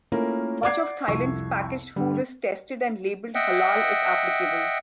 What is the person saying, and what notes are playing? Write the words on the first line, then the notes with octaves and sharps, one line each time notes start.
Much of Thailand's packaged food is tested and labelled halal if applicable.
A3 A#3 C#4 E4 F4 A#4
D5 F#5 D6 G#6 C7
C2 F2 C#6 E6
G2 D3 G3
D#5 E5 F#5 G5